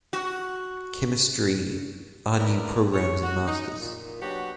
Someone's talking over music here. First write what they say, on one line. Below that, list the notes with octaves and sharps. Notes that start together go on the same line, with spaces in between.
Chemistry are new programs in Masters.
F#4
B3 D4 E4 A#4
C#5
F#4
D#4
A#2
B2 F#3 D4 F#4 G4